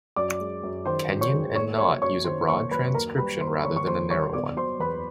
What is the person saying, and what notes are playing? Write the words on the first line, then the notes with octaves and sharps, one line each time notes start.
Kenyon and Knott use a broad transcription rather than a narrow one.
F#2 D5 D6
G#3
F#2
D#3 C5 C6
F#2
C#5 C#6
G#3
A#3 C#5 C#6
F#3 C#5 C#6
F#2 C#5 C#6
D#3 C5 C6
A#3 C#5 C#6
F#3 B4 B5
D#2 A#4 A#5
G3 B4 B5
D#2 C5 C6
D#3 C#5 C#6
C#6
D#2 C5 C6
G3 C#5 C#6
B3 D5 D6
F#3 C5 C6
E2 B4 B5